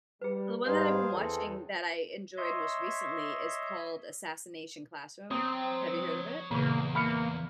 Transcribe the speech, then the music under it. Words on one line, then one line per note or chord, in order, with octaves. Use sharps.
The one that I've been watching that I enjoyed, most recently, is called Assassination Classroom, have you heard of it?
G3 G#4 B4
G#2 G3 D#4 G#4 B4 C5 F5
E2 E3 C4 G#4 A4 C#5
C#5 D#5 E5 C6
C4 C#5 A#5 D#6
E2 A#2 C#3 A#3
A#3 B5 F6 C#7